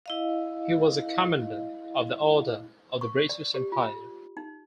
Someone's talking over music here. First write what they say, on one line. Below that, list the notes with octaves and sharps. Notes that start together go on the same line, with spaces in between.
He was a Commander of the Order of the British Empire.
E4 D#5 F5
C#6
D5
G4
F4
D#4